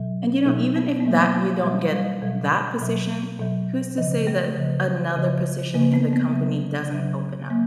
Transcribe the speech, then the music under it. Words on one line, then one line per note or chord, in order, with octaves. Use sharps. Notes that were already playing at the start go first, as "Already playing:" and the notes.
and you know, even if that you don't get that position, who's to say that another position in the company doesn't open up?
Already playing: B2 F#3
B2 F#3 D#4
B3
B3
B2 F#3 A#3
F#3
B2 F#3 G3
G3
B2 F#3 G3
B2 F#3
B2 F#3
C#3 F3
A3
C#3 F3
C#3 F3
C#3 F3 A#3
B3
B3
C#3 F#3
C#3 F#3
F#3 A#3